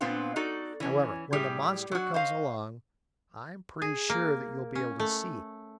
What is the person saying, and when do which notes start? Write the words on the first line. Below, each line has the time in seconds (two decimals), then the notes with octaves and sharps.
However, when the monster comes along, I am pretty sure that you will be able to see it.
0.01 A#2 B3 C4 D4 F4
0.36 D#4 F#4 A4 D5
0.80 E3 C#4
1.33 A2 G3 G4 G#4
1.92 F#3 F#4
2.14 C5 D#5 F5
3.82 G#4
4.10 A#3
4.75 C#4
5.00 A3